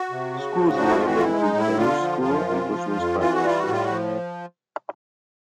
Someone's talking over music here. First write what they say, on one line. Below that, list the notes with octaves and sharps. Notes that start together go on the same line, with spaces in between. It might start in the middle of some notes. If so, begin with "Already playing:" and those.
Schools in the area include Dunluce School and Bushmills Primary School.
Already playing: F#4
C3
C#3
F3
D4
F2 D#4
E4
F4
E3 F#4
F4
E4
G#3
D#4
A2
E4
D3 F4
F3
F#2
C3
F3
F2
E3 F4
F#4
G3 F4
F#4
A2 F4
F#4
F3